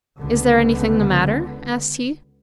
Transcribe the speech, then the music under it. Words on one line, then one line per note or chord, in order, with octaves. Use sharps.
Is there anything the matter?' asked he.
C#2 D3 B3